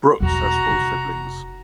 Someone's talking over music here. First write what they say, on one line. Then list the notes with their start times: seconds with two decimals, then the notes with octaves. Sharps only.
Brooks has four siblings.
0.20 B1 E2 F#4 A#5
0.69 F1